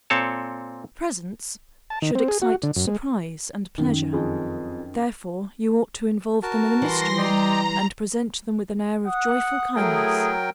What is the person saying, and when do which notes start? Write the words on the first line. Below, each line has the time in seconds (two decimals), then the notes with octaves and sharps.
Presents should excite surprise and pleasure, therefore you ought to involve them in a mystery, and present them with an air of joyful kindness.
0.10 A#2 C4 A4 C#5 A5
1.90 A5
2.02 D#3
2.15 C4
2.28 G#4
2.42 F#4
2.63 D3
2.76 F#2
2.88 G#3
3.78 F#2 D#3
4.13 F2 G#4
6.43 F#4 A#4 A5
6.82 E3 G3 C6 A#6
7.18 D5 D#5 G5 A#5
9.06 F#5 D#6
9.76 F#3 A3 E4 G#4 A#4 G5